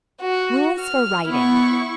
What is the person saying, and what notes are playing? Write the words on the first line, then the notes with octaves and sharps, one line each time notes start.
Rules for Riding.
F#4
F6
B3 E4 C#6